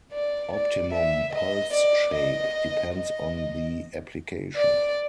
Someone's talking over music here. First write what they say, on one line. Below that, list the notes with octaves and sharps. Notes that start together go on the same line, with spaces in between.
Optimum pulse shape depends on the application.
D5
D5
E5
D#5
D5
D#5
D#5
D5